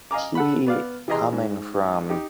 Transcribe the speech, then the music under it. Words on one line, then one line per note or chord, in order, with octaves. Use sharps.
he coming from,
D#5 F5 G#5 A#5 D6
A4 F#5 B5
B3 D5 F5
E3 G4 G#4 D#5 A#5 C6
G#2
D#4 G4